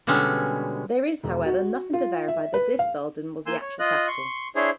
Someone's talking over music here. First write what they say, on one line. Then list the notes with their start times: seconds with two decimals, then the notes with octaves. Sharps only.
There is, however, nothing to verify that this building was the actual capitol.
0.07 B2 D3 G3 G#3 C#4
1.24 E1
1.46 F#4
1.93 F4
2.28 E5
2.54 B4
2.79 F5
3.46 A#3 G#5 C6 E6 G6
3.61 C#5
3.79 F4 D#5 F#6
4.08 C6 C#6
4.56 D4 E4 G#4 C5 C#5